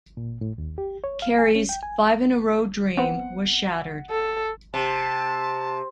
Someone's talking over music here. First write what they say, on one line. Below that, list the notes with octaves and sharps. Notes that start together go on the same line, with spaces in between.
Kerry's five-in-a-row dream was shattered.
A#2
A2
D#2
G4
C#5
F5
G#5
C#4
G5
G#5
B3 C4 F#5
A4
C3 A5